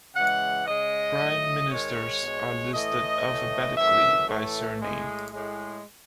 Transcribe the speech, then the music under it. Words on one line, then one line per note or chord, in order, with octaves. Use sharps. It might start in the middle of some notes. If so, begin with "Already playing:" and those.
Prime Ministers are listed alphabetically by surname.
C#3 E3 G#3 F#5
C#3 G#3 D#5
A2 F#3 A3
G#2 D#3 G#3 C#5
B2 G#3
A2 E3 A3 D#5
A2 E3 A3
F#2 E3 A3 E5
A2 E3 A3
A2 G#3
A2 G#3